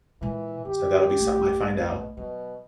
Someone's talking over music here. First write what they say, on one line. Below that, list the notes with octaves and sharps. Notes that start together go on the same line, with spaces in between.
So, that'll be something I find out.
A#2 E3 G#3
F#2 D3 G4
A#1 A3
B2
B2 F#3